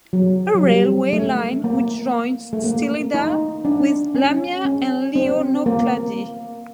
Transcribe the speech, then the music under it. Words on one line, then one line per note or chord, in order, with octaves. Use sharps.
A railway line which joins Stylida with Lamia and Lianokladi.
F#3
F#3
G3
A3
A#3
A3
A#3
D#4
D4
C#4
C#4
C4
A#3